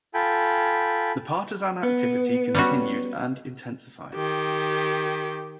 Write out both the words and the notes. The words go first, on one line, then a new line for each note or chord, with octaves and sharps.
The partisan activity continued and intensified.
F4 A4 G5 G#5 B5
B3
G3 C#4 F#4
D#3 G4